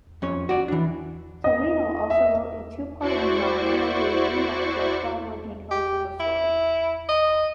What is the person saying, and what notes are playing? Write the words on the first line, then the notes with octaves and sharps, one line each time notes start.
Tomino also wrote a two-part novelization that fleshed out more details of the story.
F2 C#4 C#5
F#4 D5
E3 D4
D#5
E5
E4 F#4 C5 D5 C#6
G4
E4
D#5